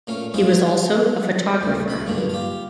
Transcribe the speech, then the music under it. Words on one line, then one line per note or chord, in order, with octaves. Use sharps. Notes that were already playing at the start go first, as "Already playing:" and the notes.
He was also a photographer.
A#2 A3 C#4 A#4 F5
G3 G#3 D#4 F4 G#4 C5
D#2 A3
C#2 A3 B5 C6
B1 G2 A#2 D3 D4
F4 G4